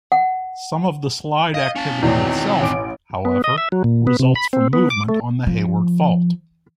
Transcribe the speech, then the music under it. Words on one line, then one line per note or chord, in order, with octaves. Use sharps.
Some of the slide activity itself, however, results from movement on the Hayward Fault.
F#5
D#5 F5
C#4 A5
E2 B2 D#3 E3 C4 C#5 D5
A1 G#5 D6 D7
B3
D#5
E5
F#3
A#2
B3
C3
B5
C4
B3
D6
A3
F3